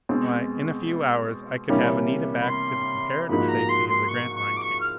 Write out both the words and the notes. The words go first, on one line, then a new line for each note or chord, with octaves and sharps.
Why, in a few hours I could have Anita back to the comparative safety of the Grantline camp.
B2 G#3 C4
C3 E3 G3 A#3 C#4
B5
C6
G#2 F3 A#3 D#4 F#4 B5
A#5
C6
C6
C#6
C#6
D6
C#6
F6